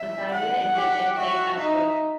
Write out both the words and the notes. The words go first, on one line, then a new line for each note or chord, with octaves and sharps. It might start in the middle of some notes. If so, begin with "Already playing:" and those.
Massalia is an S-type asteroid.
Already playing: E5
F#5
G4
F#4 E5
D#4